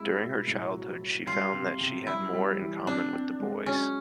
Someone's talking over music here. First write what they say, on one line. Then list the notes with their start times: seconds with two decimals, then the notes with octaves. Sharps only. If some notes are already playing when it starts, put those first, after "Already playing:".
During her childhood, she found that she had more in common with the boys.
Already playing: G#3 C4 E4
0.21 B2
0.47 A2
0.74 F#3
1.01 F#3
1.27 G3 F4
1.53 C3
1.80 C3
2.07 G3 E4
2.33 G3
2.60 E3
2.87 C4 D4
3.13 C4
3.40 G#3
3.66 F#3 C#4